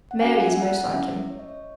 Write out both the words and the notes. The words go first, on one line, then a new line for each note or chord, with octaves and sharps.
Mary is most like him.
F#5
A3 C#4 F#4 G#5
E5
F#5
A3 C#4 E4 E5
C#5
D#5
C#5